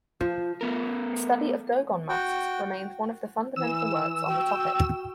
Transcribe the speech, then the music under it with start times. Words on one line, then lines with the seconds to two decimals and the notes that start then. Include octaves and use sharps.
His study of Dogon masks remains one of the fundamental works on the topic.
0.21 F3
0.61 A3 B3 A#4
2.09 F#4 G5
3.56 E3 E6
4.27 F#4 G5